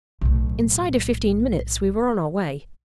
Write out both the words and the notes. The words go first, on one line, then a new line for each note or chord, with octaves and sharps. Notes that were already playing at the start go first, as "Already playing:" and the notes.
Inside of fifteen minutes we were on our way.
B1 A2